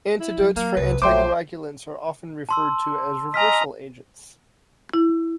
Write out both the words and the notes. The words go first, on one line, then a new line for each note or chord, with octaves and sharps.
Antidotes for anticoagulants are often referred to as reversal agents.
E4
F#3
F#3 A#3
C2 B4
A#1 F3 F#3 A3 C5 G5 C6 D6
A5 C6 E6
D#5 G#5 A#5 F6 B6
E4